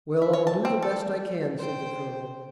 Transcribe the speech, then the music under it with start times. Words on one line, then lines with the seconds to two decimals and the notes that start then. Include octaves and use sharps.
"Well I'll do the best I can," said the colonel.
0.22 E5
0.33 C#5
0.47 A5
0.65 C4
0.82 A4
1.58 C5 G5